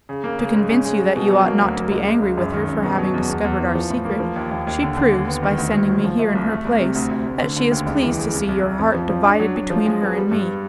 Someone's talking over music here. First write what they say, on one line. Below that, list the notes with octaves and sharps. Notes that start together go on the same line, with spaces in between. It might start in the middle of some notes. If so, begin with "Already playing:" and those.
To convince you that you ought not to be angry with her for having discovered our secret, she proves, by sending me here in her place, that she is pleased to see your heart divided between her and me.
C#3
A#3
C#3
G#2
C#4
G#3
F#3
B2
F#3
A#3
D2
A#3
C#2
C#2
C#2
F#2
D#3
F#2
B2
F#3
E2
E2
E2
E3
F3
A2
A#3
F3
D#2
D#2
D#2
D3
D3
D#2
B3
D#3
D2
D2
F#3
F3
A3
C2
A3
C2
C3
D2
D2
D2
D3
D3
D#2
C#2
E3
C#3
C2
C2
C2
F2
F3
F3
D4
F#3
F#3
F3
G#3
B3
G3
G2